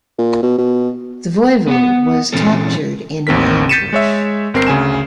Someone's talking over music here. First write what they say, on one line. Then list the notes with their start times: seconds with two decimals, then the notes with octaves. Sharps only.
The voivode was captured in an ambush.
0.18 A#2
0.43 B2
0.58 B2
1.67 B3 F#5
2.33 A#2 E3 C4 C#4 A4
3.27 A1 D#2 C4 A#4 B6
3.69 G6 A6 B6 C#7 D#7 E7
3.93 G#3 C#5 E5
4.54 G1 C4 A#4 C7
4.67 D2 C#3 G#5 E7